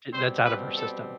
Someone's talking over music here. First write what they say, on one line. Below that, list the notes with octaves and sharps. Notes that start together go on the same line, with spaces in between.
and that's out of her system.
B2 G3 C4 C5
B4
A4